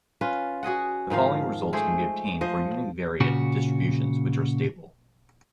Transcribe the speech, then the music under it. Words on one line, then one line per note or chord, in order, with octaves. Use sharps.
The following results can be obtained for univariate distributions which are stable.
C#4 F4 B4
F#4 G#4 D#5 F#5
G#2 D#3 F3 F5
G#3 A3 G#4 C5
F3 C5 D#5
A#2 C#3 F#4